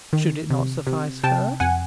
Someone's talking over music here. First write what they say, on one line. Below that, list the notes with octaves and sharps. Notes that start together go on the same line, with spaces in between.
Should it not suffice her?
D#3
C3
C3
C3 G5 A5
F2 F#5 G#5